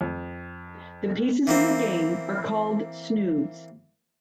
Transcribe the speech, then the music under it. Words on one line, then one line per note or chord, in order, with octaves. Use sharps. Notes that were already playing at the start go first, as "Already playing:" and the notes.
The pieces in the game are called "Snoods".
F2
E3 A#3 C4